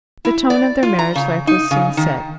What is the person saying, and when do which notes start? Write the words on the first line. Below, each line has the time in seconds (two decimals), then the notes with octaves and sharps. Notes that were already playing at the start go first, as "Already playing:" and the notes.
The tone of their marriage life was soon set.
0.25 E4
0.50 D5
0.83 F4
0.99 A#5
1.15 C#3
1.47 D#4
1.71 C#3
1.97 D#3